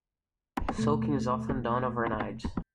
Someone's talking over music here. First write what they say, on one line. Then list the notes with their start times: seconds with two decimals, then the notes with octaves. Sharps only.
Soaking is often done overnight.
0.78 D#2 B2 A3